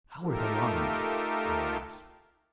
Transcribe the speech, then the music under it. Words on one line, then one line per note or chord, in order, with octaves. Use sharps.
"How are they armed?" I asked.
A3 D#4 F4 G4 A4 A#4